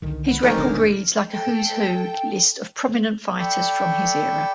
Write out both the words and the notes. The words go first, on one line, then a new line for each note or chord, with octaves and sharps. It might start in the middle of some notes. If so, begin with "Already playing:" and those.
His record reads like a "who's who" list of prominent fighters from his era.
C2 D3 D#3
B4 F#5
F2 C#3 A3 C4 D#4 A#4 D5 G#5
E1 A#2 D#3 G#3 A#3 D4
A4 G5
A4 D5 G5 B5 C#6